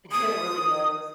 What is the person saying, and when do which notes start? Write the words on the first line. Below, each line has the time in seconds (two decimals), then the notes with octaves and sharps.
It really does.
0.12 D#6